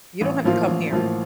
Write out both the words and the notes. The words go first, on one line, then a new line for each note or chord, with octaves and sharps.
You don't have to come here."
A1
A2 F3 A#3 F4
A1
A2 F3 A#3 F4